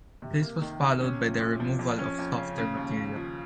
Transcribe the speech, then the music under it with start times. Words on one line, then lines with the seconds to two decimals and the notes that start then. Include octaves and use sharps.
This was followed by the removal of softer material.
0.22 C3
0.42 A#3
0.62 D#3
0.81 C3
1.01 C#4
1.21 F3
1.40 A#2
1.60 F3
1.79 F2
1.99 C#4
2.19 F2
2.38 C#3
2.58 C#3
2.77 D#2
2.97 D#2
3.16 F3